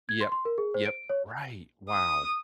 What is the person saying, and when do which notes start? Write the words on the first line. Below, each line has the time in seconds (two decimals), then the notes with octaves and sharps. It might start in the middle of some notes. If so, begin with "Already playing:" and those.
Yep, yep. Right. Wow.
0.09 G#6
0.21 C6
0.32 C6
0.45 A#4
0.58 G#4
0.74 C5
0.85 D7
1.09 C#5
1.89 D#6